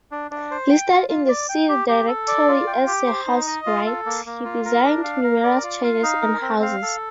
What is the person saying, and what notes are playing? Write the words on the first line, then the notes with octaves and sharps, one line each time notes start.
Listed in the city directory as a housewright, he designed numerous churches and houses.
D4
D4
C5
G5
F4
F4
D5
G5
G4
G4
A4
D5
F4
G5
G4
C5
D#4
D#5
F4
A4
A#3
A#3
F4
A#4
D4
F5
A#4
D5
F4
F5
D#4
A#4
C4
F5
A4